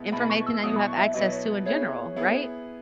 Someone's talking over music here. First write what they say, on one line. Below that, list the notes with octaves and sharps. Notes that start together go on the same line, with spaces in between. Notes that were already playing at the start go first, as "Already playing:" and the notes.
information that you have access to in general, right?
Already playing: B2 G#3 B3 E4
B2 G#3 B3 E4 B5
C#6
E6
B2 F#3 B3 E4 D#6
B5
C#6
E5
B2 F#3 B3 E4 D#5
C#5
B3 E4 G#4 C#5
B3 E4 G#4